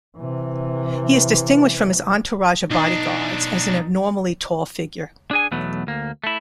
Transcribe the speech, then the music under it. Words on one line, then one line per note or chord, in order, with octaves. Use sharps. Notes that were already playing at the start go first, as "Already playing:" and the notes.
He is distinguished from his entourage of bodyguards as an abnormally tall figure.
C3 E3
B1 D4 D#4
D4 G#4 G#5
B1 E2 F#3 A3 B3
D2 A#3
A3 E4